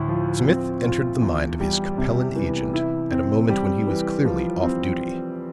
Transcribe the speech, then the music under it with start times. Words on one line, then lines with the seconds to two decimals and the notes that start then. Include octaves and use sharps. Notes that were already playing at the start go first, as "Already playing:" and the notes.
Smith entered the mind of his Capellan agent at a moment when he was clearly off duty.
Already playing: D2 A2
0.08 F3
0.47 C4
0.84 F4
1.22 E2
1.60 G3
1.98 C3
2.36 E3
2.73 E4
3.11 C4
3.49 G3
3.87 E3
4.25 F3
4.63 C4